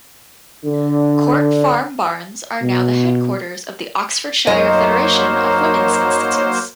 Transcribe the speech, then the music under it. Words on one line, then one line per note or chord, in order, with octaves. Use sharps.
Court Farm Barns are now the headquarters of the Oxfordshire Federation of Women's Institutes.
D3
B2
F#2 F#3 A#3 D#4 A#4 C5 C#5 D#5